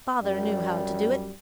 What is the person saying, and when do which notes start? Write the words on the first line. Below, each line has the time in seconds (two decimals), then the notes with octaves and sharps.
"Father knew how to do it."
0.22 F#2 G3